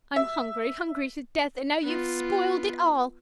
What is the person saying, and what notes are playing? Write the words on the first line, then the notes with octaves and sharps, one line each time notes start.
I'm hungry, hungry to death, and now you've spoiled it all!
E5
B3 F4